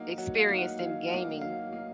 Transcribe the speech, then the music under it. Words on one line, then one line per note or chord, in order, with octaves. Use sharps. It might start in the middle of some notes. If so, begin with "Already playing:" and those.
experienced in gaming
Already playing: F#3 A#3 D#4 F#5
F#3 F#5
F5
A#3 D#4
F#5
F#3 F5
A#3 D#4 F#5
F#3 F5
A#3 D#4